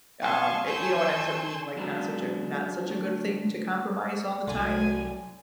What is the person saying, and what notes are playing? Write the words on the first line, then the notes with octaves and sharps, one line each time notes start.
um, it you know, it ends up being, like, not such a not such a good thing to compromise all the time.
F5 G#5 A5 C6 C#6
G#5 A5 C6 C#6 E6 G6
E2 F#3 G#3 D4 A#5
D3 A3
C2 D3 F#3 G#5